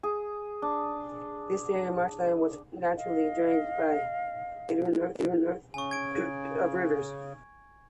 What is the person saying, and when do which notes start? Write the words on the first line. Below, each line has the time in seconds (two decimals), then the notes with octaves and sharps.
This area of marshland was naturally drained by a labyrinth of rivers.
0.03 G#4
0.62 D4
2.95 D#5 F5
5.74 C#3 G#5 C#6
5.91 G#6 D7